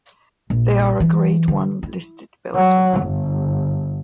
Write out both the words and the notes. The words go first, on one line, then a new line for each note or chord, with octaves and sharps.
They are a Grade One listed building.
A#1
E3
D3
E4
F#3
G1